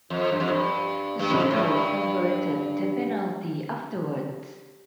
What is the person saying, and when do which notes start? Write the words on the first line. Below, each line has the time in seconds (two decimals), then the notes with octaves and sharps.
Zico converted the penalty afterwards.
0.10 F2
0.32 G2
0.40 F2
0.48 G2
1.19 G2
1.30 F2
1.40 G2
1.51 A2
1.63 G2